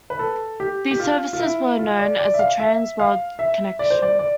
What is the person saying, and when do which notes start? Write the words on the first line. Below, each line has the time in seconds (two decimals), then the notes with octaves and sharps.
These services were known as the Trans World Connection.
0.10 B4
0.19 A4
0.60 G4
0.91 G4
1.00 F4
1.33 F4
1.39 E4
1.79 F4
1.99 D5
2.19 D5
2.34 E5
2.39 F5
2.60 E5
2.99 F5
3.39 E5
3.79 D5
3.90 C5
4.02 D5
4.19 D5